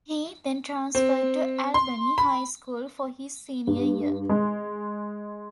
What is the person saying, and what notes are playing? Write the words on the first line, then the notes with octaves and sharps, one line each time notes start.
He then transferred to Albany High School for his senior year.
C4
C6
B5
G2
G#3